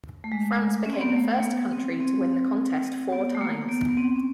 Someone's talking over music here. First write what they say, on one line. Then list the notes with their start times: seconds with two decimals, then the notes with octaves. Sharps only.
France became the first country to win the contest four times.
0.24 A3
0.32 G#3
0.51 G#3
0.60 A3
0.86 C#4
0.93 C4
1.01 B3
1.09 A#3
1.16 A3
1.40 A#3
1.44 B3
1.72 C4
2.00 C4
2.85 C4
3.13 B3
3.35 A3
3.41 A#3
3.61 A#3
3.69 B3
3.89 B3
3.97 C4
4.16 C#4